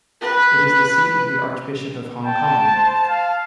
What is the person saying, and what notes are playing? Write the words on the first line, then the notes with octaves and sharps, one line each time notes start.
It is the seat of the Archbishop of Hong Kong.
B4
G5 A5
C5
F5